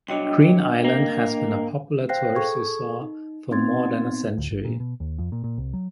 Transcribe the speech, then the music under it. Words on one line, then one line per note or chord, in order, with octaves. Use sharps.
Green Island has been a popular tourist resort for more than a century.
C2 F#3 D4 D#5 G5
A#3
C5 F5 G5 F#6 A#6 C7
G#4 A4 C#6 G#6
D#4
B3 C4 D#4 C6 G#6 A6
D2
G1
A#2
B2
D#2
F2
A#2
A#2
C2
F#3